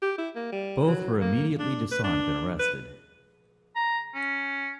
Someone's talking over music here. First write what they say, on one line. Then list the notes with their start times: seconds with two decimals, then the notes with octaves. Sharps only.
Both were immediately disarmed and arrested.
0.02 G4
0.18 E4
0.35 A#3
0.52 G3
0.87 F#3
1.21 A#3
1.59 D4
1.91 B4
2.04 D4
2.59 B4
3.76 A#5
4.15 C#4